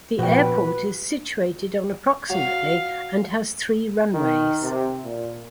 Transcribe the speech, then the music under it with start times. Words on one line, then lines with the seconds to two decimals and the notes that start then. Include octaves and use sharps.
The airport is situated on approximately and has three runways.
0.19 A#2 F3 B3 F#4 B4 G5
2.30 F#3 F5
4.14 D#3
4.62 C3
5.04 A#2